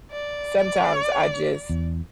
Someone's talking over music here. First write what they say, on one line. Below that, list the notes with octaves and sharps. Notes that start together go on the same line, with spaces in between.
sometimes I just
D5
E2